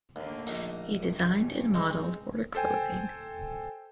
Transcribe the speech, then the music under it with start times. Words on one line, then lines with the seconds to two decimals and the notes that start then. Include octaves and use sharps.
He designed and modeled for the clothing.
0.16 D#2 D3 A3 A#3
0.47 A#1 D#4
1.00 G2 C#3
1.74 G#3 C4 D#4
2.55 A4 C5 G5 G#5